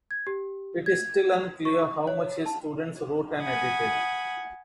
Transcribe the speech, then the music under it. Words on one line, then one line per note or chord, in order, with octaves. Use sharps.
It is still unclear how much his students wrote and edited.
G#6
G4
G#6
C#6
C#5
A5
F#5 G#5 B5 D#6